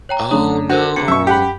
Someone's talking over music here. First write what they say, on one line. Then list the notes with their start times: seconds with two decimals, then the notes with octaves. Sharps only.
Oh, no.
0.09 C#5 G5 A#5
0.31 F#2 A3 D4 C#5 A#5 D#6
0.69 D4 F#4 A#4 C5
0.96 D3 C#7
1.08 F#2 E5 C#6
1.27 G4 F#5 B5